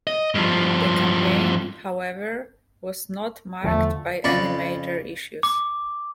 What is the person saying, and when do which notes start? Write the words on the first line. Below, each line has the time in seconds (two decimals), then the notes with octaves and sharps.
The campaign, however, was not marked by any major issues.
0.07 D#5
0.35 G2 F3
3.64 E2 D3 F3 A3
4.24 F2 C#3 D5 B5 C#6
5.43 D6